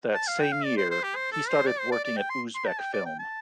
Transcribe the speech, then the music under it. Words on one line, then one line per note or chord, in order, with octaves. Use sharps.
That same year he started working at Uzbekfilm.
A5
F5
G5
F5
D5
C5
C5
G4
C5
A4
C5
D5
C5
D5
D5
G5
C6
C6
A5
G5
D5
G5
A5